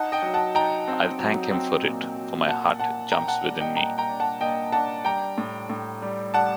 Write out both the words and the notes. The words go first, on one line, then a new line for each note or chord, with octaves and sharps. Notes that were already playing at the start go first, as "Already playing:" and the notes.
I'll thank him for it, for my heart jumps within me.
Already playing: D#4 F#5 A5
D#5 G5
F#3
F#5 A5
D#4 G5 A#5
C4
F#3
C4
A#2
F#3
A#2 F#5 A5
A#2 F#5 A5
A#2 G5 A#5
F#5 A5
G3
D#5 G5
A#2 G5 A#5
G5 A#5
D4
F#5 A5
A#2 D#5 G5
D4 F#5 A5
G3 G5 A#5
A2
A2
G3
G3 F#5 A5